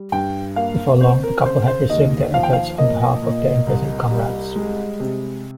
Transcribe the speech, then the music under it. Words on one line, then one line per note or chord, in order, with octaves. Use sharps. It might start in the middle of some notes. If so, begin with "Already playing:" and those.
Before long, the couple had resumed their efforts on behalf of their imprisoned comrades.
Already playing: G3
G2 G5
A#3 F5
C4 C5
A#4
C#3 C5
C5
D#2 D#5
F3 F5
G5
F5
A#3 D#5
A#2
C2
G3
G#3
C3